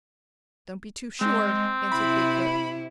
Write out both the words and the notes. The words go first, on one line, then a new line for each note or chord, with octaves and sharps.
"Don't be too sure," answered Big-foot.
G#3 C4
C3 E4 B5